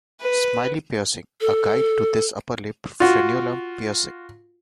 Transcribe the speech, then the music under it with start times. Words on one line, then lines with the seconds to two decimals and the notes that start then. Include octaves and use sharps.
Smiley Piercing - A guide to this upper lip frenulum piercing.
0.21 B4
1.41 A4
3.00 F4 F#4